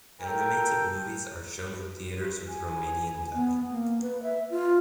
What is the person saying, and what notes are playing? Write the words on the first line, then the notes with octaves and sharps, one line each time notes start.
Animated movies are shown in theaters with Romanian dubbing.
A4 A#4 G5
G#5
B3
A#3
B4
E5
F4